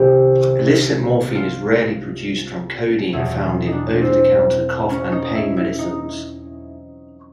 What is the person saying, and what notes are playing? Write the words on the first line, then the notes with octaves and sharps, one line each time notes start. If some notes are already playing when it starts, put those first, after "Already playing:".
Illicit morphine is rarely produced from codeine found in over-the-counter cough and pain medicines.
Already playing: C2 C3 D#3 G4
F4
E2 B2 F#3 E4
D#4
D4
C4
C#4
D#4
E4
E4
D#4